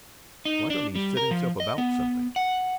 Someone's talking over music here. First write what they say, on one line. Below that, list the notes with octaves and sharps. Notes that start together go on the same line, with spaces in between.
Why don't he set himself about something?
D#4
D4
G3
A#4
F3
D#5
B3
F#5